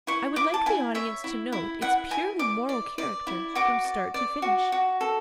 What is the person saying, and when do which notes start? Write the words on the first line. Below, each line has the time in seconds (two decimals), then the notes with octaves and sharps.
I would like the audience to note its purely moral character from start to finish.
0.07 E4 C#6
0.36 E4 D6
0.54 A5
0.66 E4 G#5
0.94 C#5 E5
1.24 E4
1.52 E4
1.81 E4 F#5
2.11 E4 G#5
2.39 D5 D6
2.69 D5
2.98 D5
3.27 E4
3.55 F#4 D6
3.85 D5
4.14 D5
4.42 F#4
4.72 F#4
5.01 A4